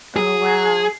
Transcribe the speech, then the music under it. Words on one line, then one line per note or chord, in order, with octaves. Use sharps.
Oh, wow.
G#4